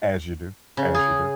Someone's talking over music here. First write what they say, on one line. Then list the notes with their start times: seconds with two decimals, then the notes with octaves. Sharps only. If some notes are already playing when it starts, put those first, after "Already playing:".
As you do. As you do.
0.77 C#3
0.95 G#4